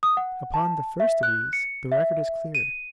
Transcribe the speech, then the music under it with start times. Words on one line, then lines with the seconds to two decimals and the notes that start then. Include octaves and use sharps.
Upon the first of these, the record is clear.
0.03 D#6
0.17 F#5
0.54 A5
1.00 E5
1.23 F#6
1.53 C#7
1.92 E5
2.55 D#7